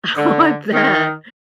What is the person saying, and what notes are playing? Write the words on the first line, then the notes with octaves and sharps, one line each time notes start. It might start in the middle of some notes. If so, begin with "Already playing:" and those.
I want that.
D3
D#3